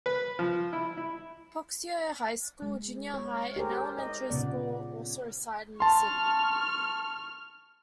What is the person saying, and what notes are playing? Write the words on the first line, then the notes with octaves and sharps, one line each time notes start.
Puxico High School, Junior High and Elementary school also reside in the city.
B4
F3
E4
E4
G#3
C#5
G4 G#4 A#4 C5
D#5
A#2 C#3 B3 D5
A5 C6 C#6 F6